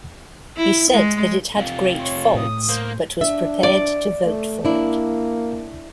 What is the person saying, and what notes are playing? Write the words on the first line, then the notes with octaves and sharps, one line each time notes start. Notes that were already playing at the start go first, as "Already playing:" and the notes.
He said that it had great faults but was prepared to vote for it.
E4
G#3
C3 F4
C#5 C6
A2 D#6
A#3 C5
D4 E5
D5
A3
A#3 D4 E4